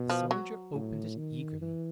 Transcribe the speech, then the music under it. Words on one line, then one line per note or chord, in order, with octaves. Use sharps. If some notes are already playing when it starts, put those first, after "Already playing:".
The soldier opened it eagerly.
Already playing: B2
F3
F#3
A2
D#3
E3